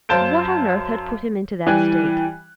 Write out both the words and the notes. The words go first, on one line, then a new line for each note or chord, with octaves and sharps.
What on earth had put him into that state?
F#2 C5 F5 A5 G6 D7
E3 G3 G5 G#5 F#6